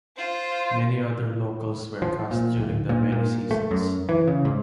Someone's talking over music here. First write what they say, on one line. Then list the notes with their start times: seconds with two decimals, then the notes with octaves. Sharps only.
Many other locals were cast during the many seasons.
0.17 F4 C5
2.02 F3
2.31 A#2
2.57 D1
2.89 A#2
3.12 A#2
3.51 A3
3.71 F#2
4.09 E3
4.28 C#3
4.45 G#2